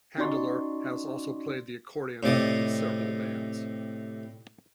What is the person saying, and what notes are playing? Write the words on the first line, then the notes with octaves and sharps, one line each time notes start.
Handler has also played the accordion in several bands.
C#4 D#4 F#4 D5 C6 C#6
A2 C3 D5 D#5